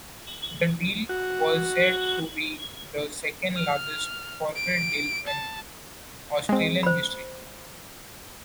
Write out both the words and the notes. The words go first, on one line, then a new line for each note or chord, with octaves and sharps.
The deal was said to be the second largest corporate deal in Australian history.
F#4
F6
D7
A5
G#3 C4
C5 B5